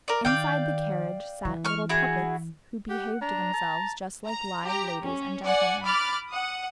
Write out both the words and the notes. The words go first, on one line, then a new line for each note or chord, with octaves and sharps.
Inside the carriage sat little puppets, who behaved themselves just like live ladies and gentlemen.
A#4 D5
D#3 D5 F5 G5
E3
C#6 F6
E4 F#4 G#4
G4 F#5
D4 A#5
A5
A#5
G4 A#5
C#4
D5 F#5 G#5
B5 D6 F6 F#6 A6
F#5 D#6